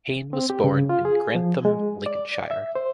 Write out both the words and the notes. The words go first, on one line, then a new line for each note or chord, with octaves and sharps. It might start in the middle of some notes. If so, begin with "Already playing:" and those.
Cain was born in Grantham, Lincolnshire.
C4
G4
C#3
F4
G#4
F3
G#3
D5
E5
C5